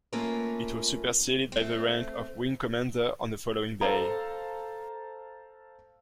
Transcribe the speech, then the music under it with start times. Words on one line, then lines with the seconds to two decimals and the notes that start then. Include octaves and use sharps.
It was superseded by the rank of wing commander on the following day.
0.13 A3 A#3 C#4 F4 A#4 B4
1.52 A3 C4
3.81 A4 C5 F5 A#5